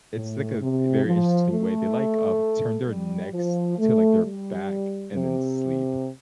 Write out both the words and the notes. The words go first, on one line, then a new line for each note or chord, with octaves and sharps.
it's, like a very interesting way, they, like, um, turn their necks to, like, their back and then sleep.
A2
C3
F3
A3
G3
F3
A3
G3
C3